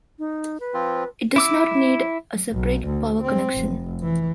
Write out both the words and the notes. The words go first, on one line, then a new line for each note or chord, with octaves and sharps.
It does not need a separate power connection.
D#4
B4
F3 C4 F4
E4 D6 E6
B1
D2
C4
F1
E3